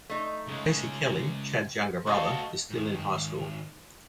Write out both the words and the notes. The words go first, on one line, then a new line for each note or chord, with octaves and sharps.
Casey Kelly, Chad's younger brother, is still in high school.
A3 D#4
C#3 G#3
A3 F#4 A4 D#5 F5
G#2 D#3